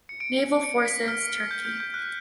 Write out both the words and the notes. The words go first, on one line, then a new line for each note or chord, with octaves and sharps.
Naval Forces, Turkey.
C#7
D7
C#7
B6
F6
G6
G6
G6
F#6